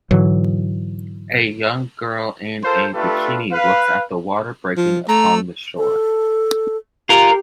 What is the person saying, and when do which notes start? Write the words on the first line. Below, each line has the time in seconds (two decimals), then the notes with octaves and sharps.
A young girl in a bikini looks at the water breaking upon the shore.
0.11 G#2 D3 E3 F#3
2.63 F4 A4 A#4 C5
2.93 A3 D4 F4 G4 A4 B4
3.52 B4 F5
4.77 F3
5.09 A3 A#5
5.78 A4
7.09 F4 G4 A#4